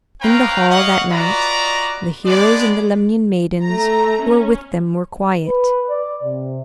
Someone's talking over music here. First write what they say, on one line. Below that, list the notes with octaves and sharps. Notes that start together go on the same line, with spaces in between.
In the hall that night the heroes and the Lemnian maidens who were with them were quiet.
C4 B4 C#5 F5 G5 A#5
C#5 D#5 F5 F#5
F4 F#4 B4 D5 D#5 A#5
G#3 B3 D4 D5
A3 A#5
C#4
B4
D5
C3